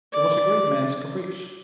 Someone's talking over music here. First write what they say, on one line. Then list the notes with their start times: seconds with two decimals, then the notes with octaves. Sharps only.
It was a great man's caprice.
0.13 D5